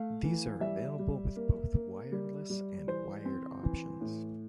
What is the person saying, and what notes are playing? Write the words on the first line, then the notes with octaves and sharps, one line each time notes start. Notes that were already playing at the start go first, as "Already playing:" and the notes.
These are available with both wireless and wired options.
Already playing: A3 F5
E3
G3 E5
G3
A#3
A#3
G3
G3
E3 C5
C4
E3
A2